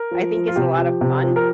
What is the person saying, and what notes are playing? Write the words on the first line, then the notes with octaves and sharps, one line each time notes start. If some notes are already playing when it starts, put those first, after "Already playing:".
I think it's a lotta fun
Already playing: A#4
F3
F3
F4
C3 G4
F3
C3
F3
A#4